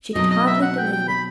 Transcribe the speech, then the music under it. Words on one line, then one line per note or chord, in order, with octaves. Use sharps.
She could hardly believe it.
B2 F#3 C4 D#4 D#5
D#5
E5
F#5
G5
G5
B5